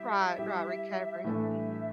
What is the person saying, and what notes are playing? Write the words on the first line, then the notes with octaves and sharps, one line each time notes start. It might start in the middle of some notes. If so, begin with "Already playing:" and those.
Right, right, recovery. Mhm.
Already playing: G3 E4 G4 E5
G3 E4 G4
A2 E3 A3 D4 A4 E5